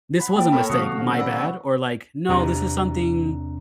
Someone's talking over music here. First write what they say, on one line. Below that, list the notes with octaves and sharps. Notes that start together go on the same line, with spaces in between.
this was a mistake, my bad," or, like, "No, this is something
F#5 B5
A#3 E4 A4 G5
A2 A4 A#4 C#5 B5
C3 D#3 F#3 F#4 F5 D#6 C#7
C4 D4 G4 F#5
D5 F#5 B5 E6
E2 C3 C4 D4 A#5 F#6